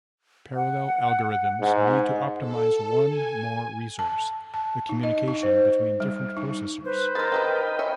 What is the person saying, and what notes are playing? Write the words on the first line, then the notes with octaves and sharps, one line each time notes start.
Parallel algorithms need to optimize one more resource, the communication between different processors.
F#5
G#2
A4
G#5
A5
A5
D#4
D#5
D#4
C5
G3
D#4
B4 C5
G#3 D#4 A#4 B5 A6
D#3 D#4 B4 D#5 G5 B5
C#5 E5 G#5